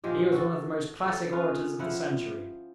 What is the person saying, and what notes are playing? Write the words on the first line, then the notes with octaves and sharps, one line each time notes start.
He was one of the most classic orators of the century.
A#2 F3 G#3 G4
F#4 A4
A4
C#4 F4 G#4 B4
F3 E4 F#5